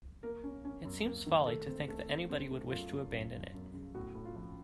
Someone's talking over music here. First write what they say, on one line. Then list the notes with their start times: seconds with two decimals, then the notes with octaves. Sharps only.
It seems folly to think that anybody would wish to abandon it.
0.23 A#3 A#4
0.44 C#4
0.65 C#4
0.85 F#2
1.06 A#3
1.26 D#3
1.47 A3 A4
1.68 C4
1.88 A3
2.09 C4
2.29 C4
2.51 A3
2.70 F#2 F4
2.92 F#2
3.13 F#2
3.33 F#2
3.54 F#2
3.74 C#3
3.94 A2 F#4
4.15 A2
4.25 F4
4.36 F3